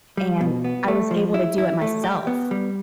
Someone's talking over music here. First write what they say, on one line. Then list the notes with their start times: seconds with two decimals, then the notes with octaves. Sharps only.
and I was able to do it myself."
0.17 G3
0.41 B2
0.64 B3
0.88 A3
1.11 F3
1.34 E4
1.58 E4
1.81 A3
2.04 G4
2.27 B3
2.51 G3